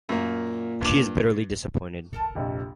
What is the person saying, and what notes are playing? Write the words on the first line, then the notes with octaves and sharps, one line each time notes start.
She is bitterly disappointed.
F#2 A#2 A#3
G2 D6
A4 A#4 A5
A#1 F2 C3